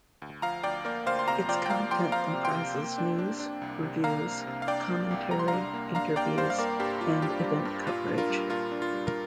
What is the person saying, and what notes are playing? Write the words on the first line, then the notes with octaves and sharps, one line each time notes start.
Its content comprises news, reviews, commentary, interviews, and event coverage.
D2
F3 F5 A#5
D2 D5 G5
A#3 A#4 D5
D2 C5 F5
C6
C3 F5 A#5
F3 D5 G5
G5
A#3 F5 A#5
F3 G5 C6
F3 F5 A#5
C3
G5 C6
C3
A#3
D4
D4
D4
C2
C3
A#3 F5 A#5
C2
C3
F5
D4 D5 G5
A#3
C2
G3 A#5
C6
D4 F5 A#5
A#3
D4 F5 A#5
A#3 D5 G5
G2 C5 F5
F5
A#3 A#4 D5
G2 G4
G3 F4
D4 G4
G3
G2
A#2 F4
D4
F4 A#4
G3
A#2 F4 A#4
D4
F4
G3
A#4